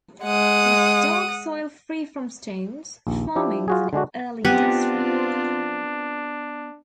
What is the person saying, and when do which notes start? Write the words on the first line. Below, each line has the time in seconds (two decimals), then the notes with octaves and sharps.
With dark soil free from stones, farming was an early industry.
0.25 G#3 F#5 D#6
3.07 A#1 D#2
3.35 F3 D4 E4 G4
3.68 F4 F#4 G#4
3.93 D3 G#3 D4 F#4
4.45 B3 C4 D4 F4 G4 F#5 G#5